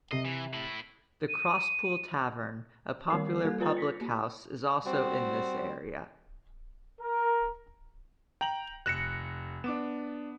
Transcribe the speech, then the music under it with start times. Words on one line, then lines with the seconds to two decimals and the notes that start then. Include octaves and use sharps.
The Crosspool Tavern, a popular public house is also in this area.
0.11 C3 D#5 C7
0.25 E3
0.53 A2 E4
1.29 D#7
3.10 D#3 G3 A#3 A#4 C7
3.45 G3 A#3 A4 F#6 G#6
3.60 F4 B4 G#5 A#5 A6
3.77 A#6 B6 C#7
4.01 A#3
4.84 G3 C4 F#4
7.00 A#4
8.41 G5 A#5 F#7
8.86 F1 F#6 A#6 C#7 E7
9.64 B3 D4 D6 E7